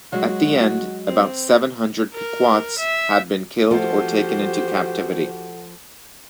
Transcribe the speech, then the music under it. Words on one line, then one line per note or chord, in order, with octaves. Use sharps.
At the end, about seven hundred Pequots had been killed or taken into captivity.
F#3 G#3 F#4
C4
A#4
E5
F3 A3 F#4 G4 A4 C5 F#5